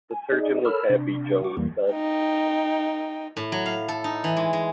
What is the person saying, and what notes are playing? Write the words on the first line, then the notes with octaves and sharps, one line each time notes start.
"The surgeon was happy," Jones said.
G#5
D#4 G#4 D5 D#5
A4 A#4 C#5 B5 E6 F6
C3 D4
F#4 C#6 D6
E2 E3 G3 A#3
D#4 G5
A2
F#3
F5
A4
D#4
E3
G#3
G#3